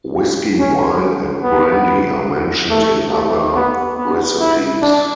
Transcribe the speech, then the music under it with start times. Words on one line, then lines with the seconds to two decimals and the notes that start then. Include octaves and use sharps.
Whisky, Wine, and Brandy are mentioned in other recipes.
0.59 C#4
1.43 B3
2.70 A3
3.13 A3
3.55 B3
3.98 B3
4.40 E4
4.82 D4